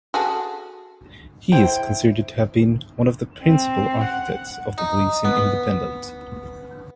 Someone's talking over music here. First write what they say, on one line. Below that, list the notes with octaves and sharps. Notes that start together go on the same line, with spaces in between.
He is considered to have been one of the principal architects of Belizean independence.
F#4 G#4 A4
E4 C5 G5
C4
F#5
D#4
B3